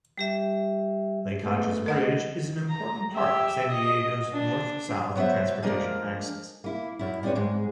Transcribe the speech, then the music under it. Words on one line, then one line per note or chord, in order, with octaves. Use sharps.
Lake Hodges Bridge is an important part of San Diego's North-South transportation axis.
G3 G4 E5
G#3 A3 B3
A#4 D#5 F#5
A#5
G4 E5
D#5
D4
F#3 B3 F#4 C5 E5
F3 G#3 A#3 D4 A#4
A#3 E4
F#2 E4
C4 D4 E4 B4 C#5
G#2 G#3